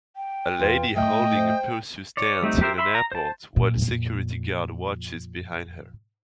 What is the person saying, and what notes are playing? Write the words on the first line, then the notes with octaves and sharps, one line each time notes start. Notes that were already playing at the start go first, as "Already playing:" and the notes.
A lady holding a purse stands in an airport while a security guard watches behind her.
G5
E2 F4
A2 A3 D#5 E5 G5
C5
C#5 D5
G3 A3 C4 D#4
G4 A#4 C5 E5
E5 B5 C6
A#5
C5 A5
F2 A#2